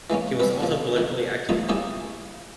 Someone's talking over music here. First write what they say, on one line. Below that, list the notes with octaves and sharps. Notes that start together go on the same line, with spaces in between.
He was also politically active.
E3 G#3 A#3 C#4
G3 C4 B4
A#2 F3
F2 D#3
F3 G3 A3 C4 D#4
G3 A#3 C#4 E4 G4 G#4